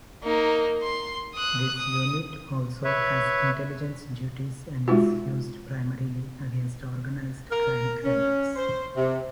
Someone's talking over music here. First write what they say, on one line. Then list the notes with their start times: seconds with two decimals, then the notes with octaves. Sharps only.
This unit also has intelligence duties and is used primarily against organized crime elements.
0.23 A#3 D#4
0.83 C6
1.34 D#6 F#6
1.77 D#6
2.84 B4 C#5 E5
4.88 G#3 D#4 F4 F#4
7.50 A#4
8.04 C#4
8.56 C5
8.96 C3